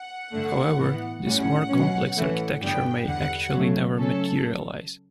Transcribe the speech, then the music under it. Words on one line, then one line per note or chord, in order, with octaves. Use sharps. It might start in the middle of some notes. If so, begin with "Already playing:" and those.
However, this more complex architecture may actually never materialize.
Already playing: F#5
G2 D3 A3
A2 E3 B3
A2 G3 C#4 F#5
B2 F#3 C#4
A2 E3 A3 C#4
G2 D3 G3 B3 G5
E2 D3 G3 F#5
C#3 F#3 A3
C#3 F#3 A3 C#4 A4